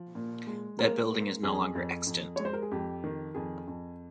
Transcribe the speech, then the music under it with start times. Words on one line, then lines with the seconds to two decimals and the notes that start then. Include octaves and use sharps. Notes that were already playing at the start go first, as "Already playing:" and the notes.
That building is no longer extant.
Already playing: F3
0.15 A#2
0.47 G#3
0.79 G#3 A#3 A#4
1.11 G#3
1.43 F2 G#4
1.75 F2
2.07 F2
2.36 G#3 C#5
2.45 C5
2.53 A#4
2.62 G#4
2.71 F2 G4
3.04 D#3
3.34 F2 G#4
3.67 F2